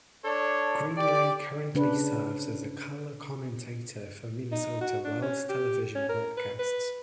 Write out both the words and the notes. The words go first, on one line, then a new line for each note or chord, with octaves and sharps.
Greenlay currently serves as a color commentator for Minnesota Wild television broadcasts.
D4 A4 C#5
G4 D5
C#3 D4 B4
D#4
F#4
D4
C#4
G4
C#4
A#4
B4
B4